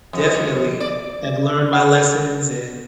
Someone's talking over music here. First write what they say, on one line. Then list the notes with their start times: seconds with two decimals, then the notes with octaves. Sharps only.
definitely have learned my lessons and
0.13 F2
0.80 D5
1.73 F#5